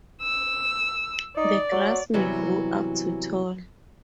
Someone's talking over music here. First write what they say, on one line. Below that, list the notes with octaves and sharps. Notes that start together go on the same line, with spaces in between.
The grass may grow up to tall.
E6
D#4 D5
F#3
C3 E3 F#3 G3 B3